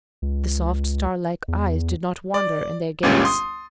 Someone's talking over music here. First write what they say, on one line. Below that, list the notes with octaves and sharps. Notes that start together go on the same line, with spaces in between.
The soft, star-like eyes did not wander in their gaze.
C#2
E2
D5
G1 C#2 A#2 C#4 G4 A6
C6 D#6